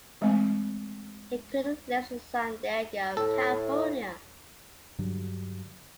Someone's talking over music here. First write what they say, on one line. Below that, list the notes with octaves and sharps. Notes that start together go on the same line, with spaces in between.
He currently lives in San Diego, California.
E3 G#3 A3 C4 G#5
A2 A4
G2 D3 F#3 G3